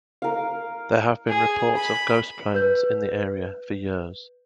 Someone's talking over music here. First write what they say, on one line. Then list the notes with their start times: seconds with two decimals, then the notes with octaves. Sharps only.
There have been reports of ghost planes in the area for years.
0.22 A#4 F5
1.28 G#4
1.76 B5
2.55 B4 G6